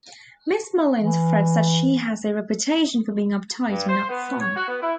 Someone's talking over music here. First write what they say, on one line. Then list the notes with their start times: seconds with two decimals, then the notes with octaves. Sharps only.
Miss Mullins frets that she has a reputation for being uptight and not fun.
0.99 E3
3.69 G2
3.89 C5
4.09 B3
4.40 C#5
4.56 F#4
4.68 B3
4.82 E4